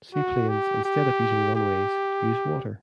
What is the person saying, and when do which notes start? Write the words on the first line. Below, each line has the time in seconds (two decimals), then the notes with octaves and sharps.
Seaplanes, instead of using runways, use water.
0.14 F#4
0.49 G4
0.85 G4
1.55 G4